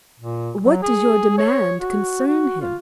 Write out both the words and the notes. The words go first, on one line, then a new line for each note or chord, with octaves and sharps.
What does your demand concern him?
A#2
F#3
G#4
C#5
F#4
F#4
F4